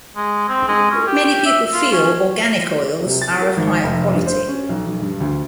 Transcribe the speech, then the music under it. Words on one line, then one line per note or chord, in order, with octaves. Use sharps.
Many people feel organic oils are of higher quality.
G#3
C4
G#3
C#4
G4
E5
F4
C#4
C3
A6
A#4
G#1
F1
G2
C5
C#4
B1
B1
G2
D2